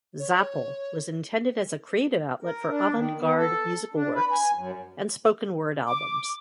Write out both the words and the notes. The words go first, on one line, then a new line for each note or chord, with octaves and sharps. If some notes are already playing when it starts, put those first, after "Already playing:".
Zapple was intended as a creative outlet for avant-garde musical works and spoken-word albums.
C#5
A#4
D4
D#3
B3
A4
D4
B4
G#5
F#2
D6